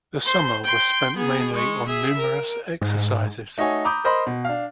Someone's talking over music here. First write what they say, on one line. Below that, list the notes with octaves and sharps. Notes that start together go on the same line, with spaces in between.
The summer was spent mainly on numerous exercises.
C5 C6
G5 C6
B3 G#4
G#3 C#6
G#4 E5
A#4
G#2
A3 D#4 F#4 C#5 G#5
A#5 B5 D6 D#6 G6
A#4 C5 D#5 B5 C6
B2
D4 F5